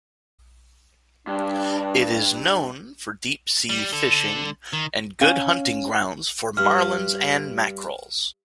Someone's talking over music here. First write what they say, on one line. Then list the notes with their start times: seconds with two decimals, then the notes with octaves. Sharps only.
It is known for deep-sea fishing and good hunting grounds for marlins and mackerels.
1.27 G2 D4
3.69 G3
3.93 D3 A4
4.73 D#3
5.21 C#4 F5
6.57 G2 F6